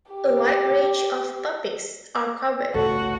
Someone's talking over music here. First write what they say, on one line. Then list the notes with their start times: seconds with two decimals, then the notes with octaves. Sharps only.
A wide range of topics are covered.
0.12 G4
2.74 G1 C#2 A2 F#4 A4